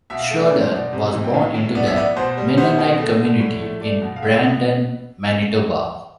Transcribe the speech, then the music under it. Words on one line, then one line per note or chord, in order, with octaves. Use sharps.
Schroeder was born into the Mennonite community in Brandon, Manitoba.
B2 E5
F5
E5
A3
D5
A3 D5
C5
B2 D5
C3
E3
G5
A2 F5
A2
B3 D5
E5
B3 D5
B2 C5
G3
B3 C5
B2
A3
D3
A2
A3
A3 D5
B2
F5
D3 E5
B3